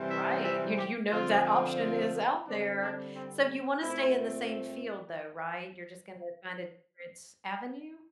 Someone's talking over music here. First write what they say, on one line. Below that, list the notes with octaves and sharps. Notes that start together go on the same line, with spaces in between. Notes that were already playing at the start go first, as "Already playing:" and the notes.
Right, you j you know that option is out there. So, you wanna stay in the same field, though, right? You're just gonna find a different avenue?
Already playing: C3 E3 G3 C4
E5
E5
G4
D3 F3 C4 F4
F4
D3 G3 C4 D4
D4
C4
A#2 A3 C4 E4